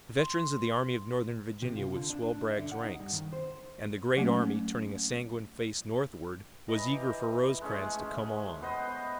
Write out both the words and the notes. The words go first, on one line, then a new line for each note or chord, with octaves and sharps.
The veterans of the Army of Northern Virginia would swell Bragg's ranks, and the great army, turning a sanguine face northward, was eager for Rosecrans to come on.
C6
C3
F4
D3
D4
D4
E5
D3
F#5
D#4
G2
D#3
C5
F#3 A3 A#3 C#4
E3 D#5 A#5
G4
G#3 A3 C#4 G#4
B3 C5 D#5